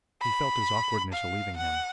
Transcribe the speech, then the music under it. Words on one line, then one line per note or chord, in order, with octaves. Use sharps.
He felt his awkwardness leaving him.
B5
F5
F#5